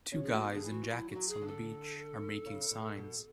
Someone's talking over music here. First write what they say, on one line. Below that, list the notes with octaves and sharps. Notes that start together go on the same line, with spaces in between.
Two guys in jackets on the beach are making signs.
C#4 F#4
G#4
A3 F#4
B3
D3 G#4
E3
F#4
F#3 E4
F#4
F#3
G#4
D3
A4
C#3
B2
B2